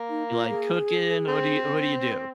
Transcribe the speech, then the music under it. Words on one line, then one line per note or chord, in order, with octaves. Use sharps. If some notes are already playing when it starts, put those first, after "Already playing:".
You like cooking, what do you what do you do?
Already playing: A#3
D#4
F4
G#4
C4